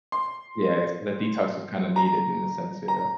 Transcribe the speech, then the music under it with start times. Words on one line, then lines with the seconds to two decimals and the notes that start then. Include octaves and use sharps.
Yeah, is so the detox is kinda needed in the sense, yeah.
0.12 C6
1.96 A#5
2.88 A#5